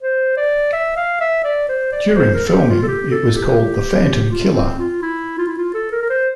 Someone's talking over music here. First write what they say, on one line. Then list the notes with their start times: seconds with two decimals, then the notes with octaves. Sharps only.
During filming it was called "The Phantom Killer".
0.01 C5
0.37 D5
0.73 E5
0.96 F5
1.21 E5
1.44 D5
1.69 C5
1.92 D5
2.16 C5
2.34 A#4
2.47 A4
2.51 G4
2.70 F4
2.82 A4
2.88 G4
3.11 A4
3.35 G4
4.31 F4
4.54 C4
4.79 F4
5.02 E4
5.38 F4
5.47 E4
5.57 F4
5.74 A4
5.92 A#4
6.02 A#4
6.09 C5